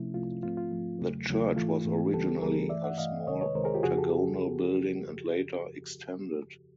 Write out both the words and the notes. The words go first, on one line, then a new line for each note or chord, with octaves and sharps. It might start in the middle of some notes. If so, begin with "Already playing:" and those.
The church was originally a small octagonal building and later extended.
Already playing: C3 F3 A3 C#4 E4
C2 C3 F3 A3 C#4 F4
G#2 F3 A3 C4 F4
F4
G#2 F3 A3 C4
E2 C#3 F#3 A3
E2 C#3 F#3 A3
G#2 E3 A3 F4
G#2 E3 A3
C#2 C#3 E3 G3 B3 G4 A4
C#2 C#3 E3 G3 B3 G#4 A#4
G2 E3 A3 D5 E5
E5 F#5
G2 E3 A3 D#5 F5
C#2 C3 D#3 G#3 C#5 D#5
B4 C#5
C#2 C3 D#3 G#3 A#4 C5
G#4 A#4
F4 G4
F2 C#3 F3 F#4 G#4
G4 A4